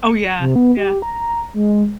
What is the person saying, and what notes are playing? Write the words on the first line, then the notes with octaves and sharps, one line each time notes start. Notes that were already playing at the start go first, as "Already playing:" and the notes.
Oh yeah, yeah.
C#7
C3
B3
G4
A#5
G#3